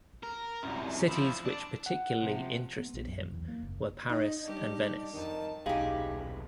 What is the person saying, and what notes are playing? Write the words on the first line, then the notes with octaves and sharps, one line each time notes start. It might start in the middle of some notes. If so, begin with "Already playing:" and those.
Cities which particularly interested him were Paris and Venice.
A#4
C2 F#2
F3 E4
D4
F#5
C3 F3
B3
A#1
F#2
E2
A#3
F#1
D#4
G3 D4 G4
F2 D#3 A5
D#1 B1 D#4 E4 G4 G#4 F5